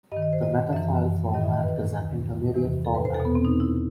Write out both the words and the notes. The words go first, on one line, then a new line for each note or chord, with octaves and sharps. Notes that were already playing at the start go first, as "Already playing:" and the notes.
The metafile format is an intermediate format.
G2 D#3 D#5
D#5
C5
D#5
F#2 E3 E5
G2 D#3 D#5
E5
D#5
B4
D#2 D#3
E2 C3 E3
A4
B4
C5
E2 A4
B2
B3
C4
D#4
E4